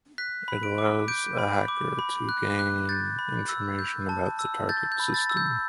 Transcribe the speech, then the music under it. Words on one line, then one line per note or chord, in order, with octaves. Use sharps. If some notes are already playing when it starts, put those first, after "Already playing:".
It allows a hacker to gain information about the target system.
F#6 B6
B5
D7
D6
G6 D7
B5
D6
B5
F#6
F#6
G6 A6
B5
E6
G6
A5
E6
G6 A6
G6
B5
A6
E6
G6